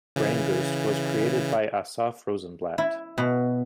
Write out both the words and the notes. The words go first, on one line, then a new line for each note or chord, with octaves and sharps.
Brainboost was created by Assaf Rozenblatt.
C#3 E3
E4
B2